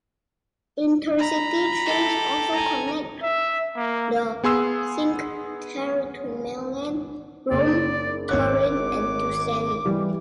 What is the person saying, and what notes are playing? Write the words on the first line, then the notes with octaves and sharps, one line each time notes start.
Intercity trains also connect the Cinque Terre to Milan, Rome, Turin and Tuscany.
A#5 B5
G4 A4
G#5 A#5
E5
A#3
B3 G#4 C6 E6
F#1 D5
G#1 C#5 D6 F#6
E3 G3